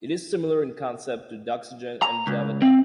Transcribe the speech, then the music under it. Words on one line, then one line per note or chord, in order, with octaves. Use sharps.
It is similar in concept to Doxygen and Javadoc.
A#5
C#2
C4